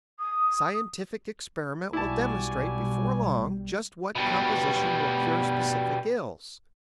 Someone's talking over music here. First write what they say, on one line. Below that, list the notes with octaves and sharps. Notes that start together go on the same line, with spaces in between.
Scientific experiment will demonstrate before long just what composition will cure specific ills.
D#6
B1 G3 E4 F#4 D5 G#5 A5
B2 G3